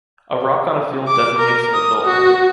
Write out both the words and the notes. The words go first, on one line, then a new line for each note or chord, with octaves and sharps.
A rock on a field designates an adult menhir.
D6
A#4
D#6
F#4